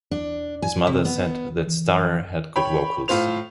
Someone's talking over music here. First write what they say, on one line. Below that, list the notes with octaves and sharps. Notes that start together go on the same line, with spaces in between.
His mother said that Starr had good vocals.
D4
G#5
C3
B3
E3
C#5 G5 B5
A2 F4 C5 F7